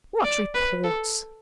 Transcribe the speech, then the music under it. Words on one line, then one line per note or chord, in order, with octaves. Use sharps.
"What reports?"
D5
B4
A4